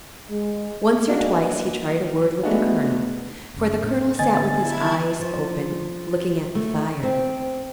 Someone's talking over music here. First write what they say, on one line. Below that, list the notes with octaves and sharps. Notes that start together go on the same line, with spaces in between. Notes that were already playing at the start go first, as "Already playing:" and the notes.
Once or twice he tried a word with the colonel, for the colonel sat with his eyes open looking at the fire.
G#3
G#3 A#3 D4 D#4 F#4
G#3 A3 B3 D4 D#4 F#4
F#1 F#2
A2 A#3 D4
D3 B3 D#5 G#5 A6
E4 A5 G#6
F3
A3
C4